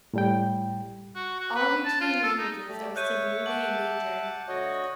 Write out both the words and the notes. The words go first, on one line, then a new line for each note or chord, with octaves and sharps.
All Utian languages are severely endangered.
A2 G3 G5
F#4
F#4
B4
A5
F4
A4
D#4
A3 G4 D5
C#5 E5 F#6 G6 D#7
F#5 A5 D6 F#7
D3 A3 F#4 C#5 D#5